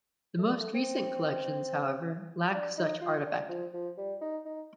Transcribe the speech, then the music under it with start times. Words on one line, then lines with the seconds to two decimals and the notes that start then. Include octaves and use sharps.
The most recent collections, however, lack such artifacting.
0.38 A3
0.47 G3
0.56 A3
0.74 C4
2.54 D4
2.78 D#4
3.02 F4
3.26 D4
3.49 F3
3.73 F3
3.98 G3
4.21 D#4
4.45 D#4